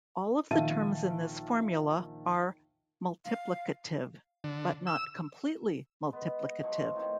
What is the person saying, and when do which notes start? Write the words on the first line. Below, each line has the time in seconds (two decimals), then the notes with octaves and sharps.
All of the terms in this formula are multiplicative, but not completely multiplicative.
0.51 A#1 D#3 E5 F5 A5 D#7
3.25 F5
4.44 D3
4.87 E6
6.09 G#3 B3
6.44 D#5
6.63 F3 F#3 C#5
6.94 A2 C3 D#3